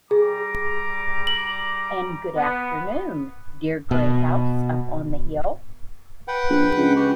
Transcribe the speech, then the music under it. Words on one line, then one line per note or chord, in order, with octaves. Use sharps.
And good afternoon, dear gray house up on the hill.
G3 G#4 A#5 D6
F#7
B3
B2
B4 F#5 G5
A#1
C#2
F#4 G4 B4